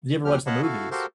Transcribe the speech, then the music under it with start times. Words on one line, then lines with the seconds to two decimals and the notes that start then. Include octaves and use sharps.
did you ever watch the movies?
0.25 D#2 F3 F#3 C#4 G4 F6
0.46 C#5 D#5 F5 F#5 A5 B5
0.62 E4 F#4 A4 F5
0.91 F#4 G4 A4 A#4 C5 F5